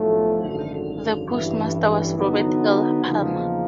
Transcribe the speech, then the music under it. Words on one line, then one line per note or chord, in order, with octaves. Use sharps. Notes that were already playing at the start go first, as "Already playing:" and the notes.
The postmaster was Robert L. Palmer.
Already playing: B1 A2 F3 A3
G#1 F#2 D3
A1 G2 E3
D3 F#3 B3 D#4
E2 C#3 F3 A#3 D#4